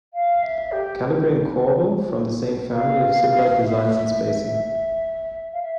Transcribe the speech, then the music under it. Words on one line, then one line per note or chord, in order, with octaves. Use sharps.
Calibri and Corbel, from the same family, have similar designs and spacing.
F5
E5
G4
F5
E5
F5
E5